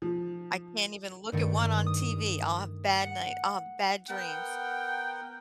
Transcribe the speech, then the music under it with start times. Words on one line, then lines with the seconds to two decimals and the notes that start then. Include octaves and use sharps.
I can't even look at one on TV, I'll have bad night, I'll have bad dreams.
0.02 F3
1.32 G2 D#3 A3
1.86 D#6
3.02 F#5
4.09 B3 A#4 F#5 G5